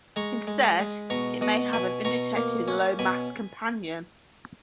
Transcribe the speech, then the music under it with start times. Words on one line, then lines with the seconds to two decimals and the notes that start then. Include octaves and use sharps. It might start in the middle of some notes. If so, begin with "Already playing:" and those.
Instead, it may have an undetected lower mass companion.
0.16 G#3 A#5 C#6
0.47 G#3
0.63 B5 D#6
0.80 G#3
1.10 B2 A#5 C#6
1.41 B2 D#5 F#5
1.73 B2 G#5 B5
2.05 B2 A#5 C#6
2.36 A#3
2.68 C#4
2.99 B2 G#5 B5